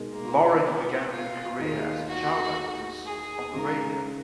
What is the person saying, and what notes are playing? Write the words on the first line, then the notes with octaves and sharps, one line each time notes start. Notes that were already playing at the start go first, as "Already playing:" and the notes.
Lorring began her career as a child actress on the radio.
Already playing: B2 G#3 D#4 A#4
A#3
B3
F4
D#2 D#3 A#3 D#4 F4 G#4
F#4
G#4
C#3 G#3 D#4 G#4 A#4